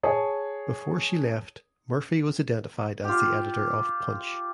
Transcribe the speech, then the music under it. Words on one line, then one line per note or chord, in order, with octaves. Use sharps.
Before she left Murphy was identified as the editor of "Punch".
G#4 C#5 A5
F4 G4